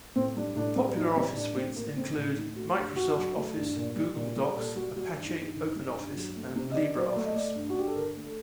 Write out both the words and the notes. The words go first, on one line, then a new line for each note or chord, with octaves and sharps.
Popular office suites include Microsoft Office, Google Docs, Apache OpenOffice, and LibreOffice.
A2 C4
G3 D4
A2 D4
G3 C4
A2 D#4
G3 C4
A2 D4
A3 C4
A2 A#3
A3 C4
A2 D4
A3 D#4
A3 F#4
G2 G4
G2 F#4
F#3
A3
G2
A#2
G3
A#2
G3 G4
A#2 A4
G3 F#4
G3 F#4
G2
D#4
G2
D#3
G3
G2
F#3
A3
C3
D#5
D#3 D5
F#3 C5
D5
A3
D#5
A3 D5
G2
F#4
G2 G4
A4
D3 A#4
A3
A4